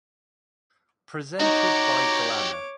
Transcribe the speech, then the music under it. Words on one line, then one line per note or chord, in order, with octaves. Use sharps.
Presented by Glamour.
D#4 F#4 G4 C#5 A#5 D6